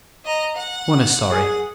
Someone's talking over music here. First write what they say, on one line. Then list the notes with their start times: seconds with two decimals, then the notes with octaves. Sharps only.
One is sorry.
0.25 D#5 A#5
0.57 F#5
1.31 G#4